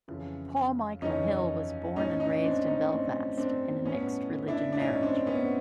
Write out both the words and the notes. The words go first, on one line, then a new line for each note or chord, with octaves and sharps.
Paul Michael Hill was born and raised in Belfast in a mixed-religion marriage.
F2 C#3 E3
F2 C#3 E3 C#4 D#4
A2 F3 C#4 D#4
C#4 D#4
C4 D4
C#4 D#4
A2 F3 C4 D4
C4 D4
A2 F3 B3 C#4
D4 E4
D4
A2 F3 C#4 D#4
C4 D4
B3 C#4